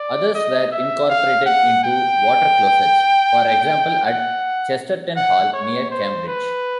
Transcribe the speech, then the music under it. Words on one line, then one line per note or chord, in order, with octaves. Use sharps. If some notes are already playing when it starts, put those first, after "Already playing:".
Others were incorporated into water closets, for example at Chesterton Hall, near Cambridge.
Already playing: D5
D#5
E5
F5
F#5
G5
F#5
F#5
C#5
C5
B4